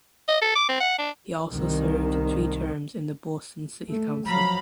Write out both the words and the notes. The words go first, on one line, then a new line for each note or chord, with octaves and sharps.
He also served three terms in the Boston City Council.
D#5
A4
D6
C4
F#5
D4
C2 D#3
A3
F3 F#3 F5 A#5 B5